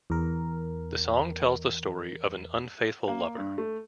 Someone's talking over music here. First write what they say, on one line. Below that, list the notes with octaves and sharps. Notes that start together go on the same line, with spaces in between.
The song tells the story of an unfaithful lover.
E2 A#4
A#3
G2
A3